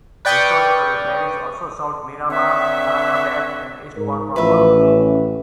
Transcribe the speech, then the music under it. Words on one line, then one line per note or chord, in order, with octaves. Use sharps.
Historically ferries also served Miramar, Karaka Bay, and Eastbourne proper.
B4 D5 G5 C#6 D#6 F6
D3 C4 B4 C#5 E5
G#2 A#4
A1 F3 B4 E5
C#4